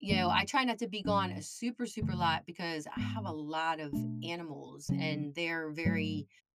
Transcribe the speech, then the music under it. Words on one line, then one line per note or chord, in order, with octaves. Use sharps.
you know, I try not to be gone a super, super lot because I have a lot of animals, and they're very
F#2 E3 A3 D4
G#2 F#3 C#4
F#2 C#3 E3 A3
G#2 G#3 B3
B2 A3 D4
C#3 F#3 C#4
G#2 F#3 A3